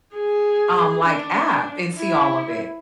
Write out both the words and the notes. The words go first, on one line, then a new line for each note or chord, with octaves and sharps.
um, like, app and see all of it?
G#4
D4
E4